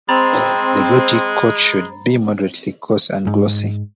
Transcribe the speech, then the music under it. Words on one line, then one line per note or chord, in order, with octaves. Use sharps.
The Bluetick coat should be moderately coarse and glossy.
G#3 C4 A#5 B5 A6
G#2